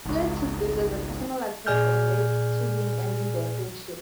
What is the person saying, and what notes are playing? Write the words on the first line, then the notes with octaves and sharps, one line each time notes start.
Flair took this as a personal attack and lead to him ending their friendship.
G#1 C#2
A#2 G#4 D5 G#5 F6 G6